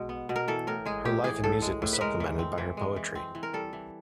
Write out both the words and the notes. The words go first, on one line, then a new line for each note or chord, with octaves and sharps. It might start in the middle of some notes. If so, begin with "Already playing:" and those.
Her life in music was supplemented by her poetry.
Already playing: B2 G#3
B3
B2
A#4
E3 A4
A2 A#4
G#3 G#4
A2 G4
E3 G#4
A2 A4
G#3
A2
B4
G#3 A#4
E3
C4
E3
G#3
E3
C4
E3
A#4
G3 A4
E3